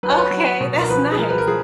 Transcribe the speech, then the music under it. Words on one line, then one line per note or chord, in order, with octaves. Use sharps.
Okay, that's nice.
F#3 B4
C#5
B4
F#3
B2
A#4
F3 B4
G#4
F3 A#4
B4
A#4
F3 G#4